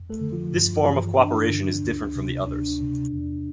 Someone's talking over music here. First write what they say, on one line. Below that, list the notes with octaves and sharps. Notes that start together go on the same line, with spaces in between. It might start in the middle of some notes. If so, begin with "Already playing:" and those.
This form of cooperation is different from the others.
Already playing: F2
A3 A4
D3
F3 F4
G2
E3
G2 D4
D3
D2
C3
D2 D4
C3
E2